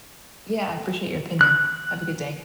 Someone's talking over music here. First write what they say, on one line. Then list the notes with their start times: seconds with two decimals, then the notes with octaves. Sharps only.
Yeah, I appreciate your opinion. Have a good day
1.41 F#6